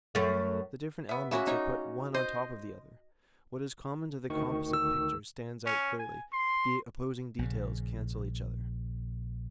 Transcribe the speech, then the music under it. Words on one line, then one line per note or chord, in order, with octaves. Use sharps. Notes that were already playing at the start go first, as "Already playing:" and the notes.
The different elements are put one on top of the other; what is common to the composite picture stands out clearly, the opposing details cancel each other.
F#2 A3
B3 E5
C#3 A#3 C#4 F#4 E5
D#4 C#5
C5 D#5
D2 D#3 C#6
E6
C#4
G#5
C6
A#1 C#3